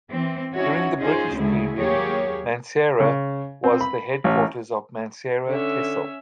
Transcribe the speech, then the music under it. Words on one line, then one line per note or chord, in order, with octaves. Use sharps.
During the British period, Mansehra was the headquarters of Mansehra "Tehsil".
E3 C4
C#4 D#4 E4 F#4 C#5
C#4 D#4 F4 G#4 C5
D2 C#3 G#3 E4 G#4
D#2 F#3 A#3 G4 G#4 C#5
C#3
C4
B5
A1
D3 C#4 E5